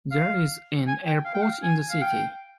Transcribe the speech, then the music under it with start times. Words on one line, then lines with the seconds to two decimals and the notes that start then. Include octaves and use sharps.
There is an airport in the city.
0.11 F5
0.87 G#5
1.06 G5
1.25 F5
1.35 G5
1.42 F5
1.63 G#5
1.90 F5
2.01 G5